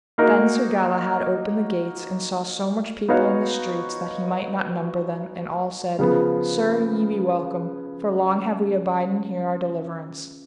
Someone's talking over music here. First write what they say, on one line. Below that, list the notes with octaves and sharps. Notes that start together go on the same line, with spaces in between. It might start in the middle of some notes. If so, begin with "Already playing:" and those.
Then Sir Galahad opened the gates, and saw so much people in the streets that he might not number them, and all said: Sir, ye be welcome, for long have we abiden here our deliverance.
A#3 D#4 F#4 A#4
B3 D#4 F#4 C#5 F5
C#3 F3 B3